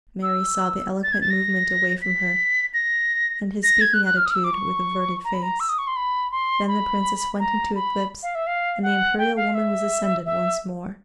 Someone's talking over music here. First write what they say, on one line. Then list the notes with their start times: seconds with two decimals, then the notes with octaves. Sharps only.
Mary saw the eloquent movement away from her and his speaking attitude, with averted face; then the princess went into eclipse, and the imperial woman was ascendant once more.
0.23 E6
1.03 A6
1.12 G#6
1.21 A6
1.30 A#6
2.02 B6
2.74 A#6
3.63 A#6
3.81 G#6
3.94 F#6
4.05 F#6
4.17 F6
4.26 D#6
4.30 F6
4.35 E6
4.44 D6
4.53 C#6
5.25 A#5
5.34 B5
5.43 A#5
5.60 E6
5.69 D#6
5.78 C#6
5.87 C6
5.96 B5
6.32 C6
6.68 B5
7.39 A#5
7.75 B5
8.23 F5
8.35 E5
8.47 F5
8.83 F#5
9.18 G5
9.36 F5
9.54 E5
10.26 E5